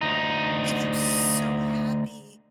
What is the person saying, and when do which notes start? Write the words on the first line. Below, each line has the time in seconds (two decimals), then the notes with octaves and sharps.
and I'm so happy
0.01 D2 D#4